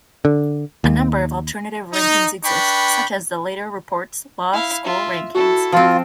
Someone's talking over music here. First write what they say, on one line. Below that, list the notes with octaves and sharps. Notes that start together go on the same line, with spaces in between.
A number of alternative rankings exist, such as the Leiter Reports Law School Rankings.
D3
D#2
D#4
D4 B4 G5 B5 C#6
E4 F5
F4 E5
E4 F#4 A4
F3 C4 F4